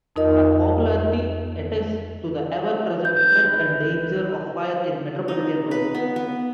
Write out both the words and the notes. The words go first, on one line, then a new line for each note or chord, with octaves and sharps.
Her popularity attests to the ever-present threat and danger of fire in metropolitan Rome.
F2 D#4 A#4 D#5
G#1 B4 G6
D#4
B4
B3
B3